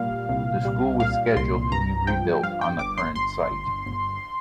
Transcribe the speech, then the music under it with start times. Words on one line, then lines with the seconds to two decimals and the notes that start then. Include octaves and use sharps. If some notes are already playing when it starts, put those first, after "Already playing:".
The school was scheduled to be rebuilt on the current site.
Already playing: A#2 G3 F5
0.29 C2
0.65 G3
1.00 A#2 F5
1.36 C2 C6
1.72 G2 A#5
2.07 F3 G5
2.43 G2 F5
2.61 G5
2.79 G1 D6
2.98 C6
3.15 G1 C6
3.51 G1
3.86 G1